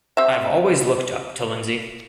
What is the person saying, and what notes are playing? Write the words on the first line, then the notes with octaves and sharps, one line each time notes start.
I've always looked up to Lindsey.
C4 G4 E5